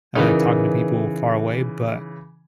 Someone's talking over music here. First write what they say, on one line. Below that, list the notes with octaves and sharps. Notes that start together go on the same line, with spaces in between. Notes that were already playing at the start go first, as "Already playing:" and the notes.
eh, talking to people far away, but,
C#3 E3 D#4 A#4 B4